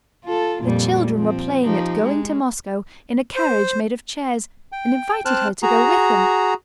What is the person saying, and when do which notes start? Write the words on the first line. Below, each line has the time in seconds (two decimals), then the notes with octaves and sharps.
The children were playing at "going to Moscow" in a carriage made of chairs and invited her to go with them.
0.24 F4 A4
0.61 F2 A#2 G3
1.14 F3 C4
1.64 F3 D#4 G4
2.04 G#3
3.36 C5
4.72 G5
5.25 C4 C5 A5 F6 F#6
5.62 F#4 G#4 A#5